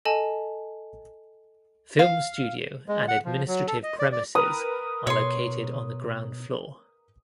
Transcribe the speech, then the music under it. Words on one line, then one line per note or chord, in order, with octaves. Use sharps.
Film studio and administrative premises are located on the ground floor.
A4 D#5 G#5 A5
F5
G#3
F#5
F3
F#3
A4
D#5
D5
D5
A#4 B4 D#6
B2 C#5 C6